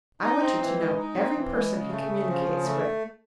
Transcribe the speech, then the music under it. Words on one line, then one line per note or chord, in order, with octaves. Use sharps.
"I want you to note every person he communicates with."
D#4
C4
E3
G#3
D#4
C4
E3
G#3
C#3
A3
C#3
F3
C#3
A3